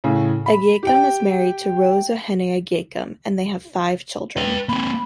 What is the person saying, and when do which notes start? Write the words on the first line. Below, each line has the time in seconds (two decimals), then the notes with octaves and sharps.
Agyekum is married to Rose Ohene Agyekum and they have five children.
0.04 A2 C#3
0.46 B5
0.83 G4 G5
4.37 B4 G5
4.69 A#3 C4 B5